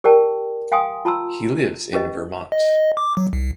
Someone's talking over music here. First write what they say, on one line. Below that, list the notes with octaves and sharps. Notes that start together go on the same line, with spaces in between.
He lives in Vermont.
G4 A#4 D5 G5 A5
F5 G5 G#5 C6 D#6
F4 A5 A#5 C6 E6
C#4 G4 B4 D#5
D#5
D6
F#3
C2